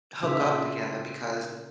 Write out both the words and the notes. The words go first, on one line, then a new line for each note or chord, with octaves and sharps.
hook up together because
A#2 C#3 D#4 F4 E5